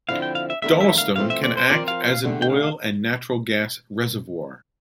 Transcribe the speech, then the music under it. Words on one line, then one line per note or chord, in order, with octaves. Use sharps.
Dolostone can act as an oil and natural gas reservoir.
D3 F3 C4 E4 F5
G5
F5
E5
E2 D3 A3 E4 A#4 E5
E5
F5
E3 A3 C4 F4 A4 F5
E5
D5
C5
F3 C4 F4 A#4 D5
F5
F5
E2 D3 A3 D4 G4
G5
F5